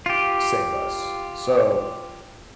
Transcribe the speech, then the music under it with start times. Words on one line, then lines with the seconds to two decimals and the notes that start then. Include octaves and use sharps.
save us. So,
0.06 F4 G4